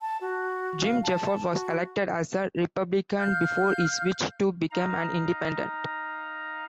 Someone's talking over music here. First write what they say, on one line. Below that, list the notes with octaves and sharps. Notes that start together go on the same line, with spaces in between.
Jim Jeffords was elected as a Republican before he switched to become an Independent.
A5
F#4
F5
A5
F#4
F5 F6 G6
D#4 F5 A#5